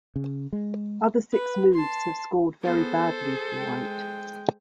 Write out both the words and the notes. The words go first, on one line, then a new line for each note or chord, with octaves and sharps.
Other sixth moves have scored very badly for White.
C#3
G#3
B4
A5 C6
B3 G#4 A4 C5
G#4
G#3 G5